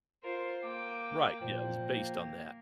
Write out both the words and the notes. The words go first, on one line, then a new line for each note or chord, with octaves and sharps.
Right, yeah, it was based on that.
F4 A#4 C5
A#3 G5 D6
A#2 F3 G5
A#3